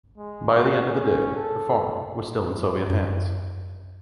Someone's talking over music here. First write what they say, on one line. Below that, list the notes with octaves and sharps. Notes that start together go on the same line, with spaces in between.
By the end of the day the farm was still in Soviet hands.
G#3
F#4
C#4
A4
F#2